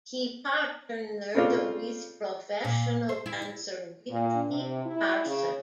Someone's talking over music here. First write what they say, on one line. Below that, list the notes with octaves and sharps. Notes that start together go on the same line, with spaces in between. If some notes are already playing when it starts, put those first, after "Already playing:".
He partnered with professional dancer Witney Carson.
C#3 A3 C4 D4 F4
A#2
C5
E4
E4
A#2
C3
E4
C#3